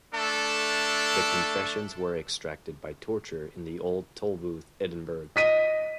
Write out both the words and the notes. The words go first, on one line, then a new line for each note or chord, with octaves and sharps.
The confessions were extracted by torture in the Old Tolbooth, Edinburgh.
A3 D4 A4
D#5 B6 D#7